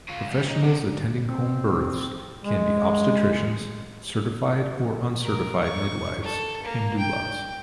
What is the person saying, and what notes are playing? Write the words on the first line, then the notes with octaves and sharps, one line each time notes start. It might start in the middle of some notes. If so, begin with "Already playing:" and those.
Professionals attending home births can be obstetricians, certified or uncertified midwives, and doulas.
C#3 F4
D2 G3
D#4
C3 D4
C4
G#3
A#4
C#6
A4
A#3
G5